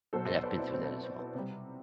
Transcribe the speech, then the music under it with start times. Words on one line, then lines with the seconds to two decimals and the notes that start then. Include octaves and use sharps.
and I've been through that as well,
0.13 B2 F#3 A4 C5
0.28 A4 C5
0.43 B4 D5
0.58 C4 E4
0.73 B2 F#3 C4
0.89 C4
1.04 C4
1.19 B3
1.34 C3 G3 C4